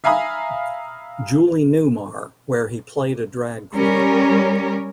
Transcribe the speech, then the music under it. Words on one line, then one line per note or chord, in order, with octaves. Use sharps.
Julie Newmar where he played a drag queen.
E5 F5 G#5 A#5 B5 D#6
G3 C#4 A#4 C#5